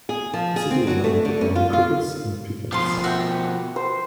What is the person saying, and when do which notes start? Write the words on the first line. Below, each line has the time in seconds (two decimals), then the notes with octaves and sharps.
The city is known for farming crickets and pecans.
0.09 G#4
0.33 F3
0.56 G#4
0.71 C4
0.87 F#3
1.04 A3
1.25 D3
1.41 C#4
1.55 F4
1.73 F4
2.72 B2 F3 F4 C6
3.04 F#4 E5 G5
3.76 C5